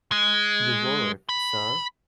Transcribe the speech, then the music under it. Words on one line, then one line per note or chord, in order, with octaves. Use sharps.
You wore it, sir?
G#3
B5